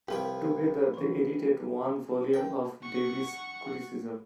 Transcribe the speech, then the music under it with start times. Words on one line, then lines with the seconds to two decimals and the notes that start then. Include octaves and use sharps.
Together they edited one volume of Davies' criticism.
0.08 C2 F3 G4 A#4 B4 G5
0.94 E3 C6
2.34 C#4 A#4 B4 G5
2.83 F#5 C#6